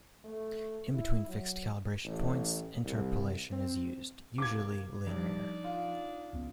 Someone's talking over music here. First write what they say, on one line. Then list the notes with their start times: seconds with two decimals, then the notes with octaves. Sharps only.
In between fixed calibration points, interpolation is used, usually linear.
0.25 A3
0.94 E4
1.28 F#3
2.04 A1
2.85 C2
3.52 C4
4.38 C3 A#3 D6 G#6
5.07 G2 F3 D4 D#4 D5
5.64 F4 F5
6.33 C#2 B3 C#4